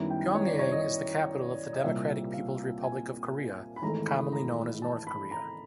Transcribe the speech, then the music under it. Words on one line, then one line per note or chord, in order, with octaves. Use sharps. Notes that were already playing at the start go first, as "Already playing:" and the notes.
Pyongyang is the capital of the Democratic People's Republic of Korea, commonly known as North Korea.
Already playing: F#2 D#3 G3 B3 E4
G5
C#5
D5
C#5
D#5
D#5
C2 A#2 G3 C4 E5
F5
G#5
B5
G#1 G#2 E3 A3 A#5
B5
A#5
A5
B5
A#5